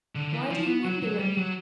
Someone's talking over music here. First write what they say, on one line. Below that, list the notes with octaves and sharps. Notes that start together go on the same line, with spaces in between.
Why do you wonder at me?
D3
E3
F3
B3
F#3
F#3
G3
F#3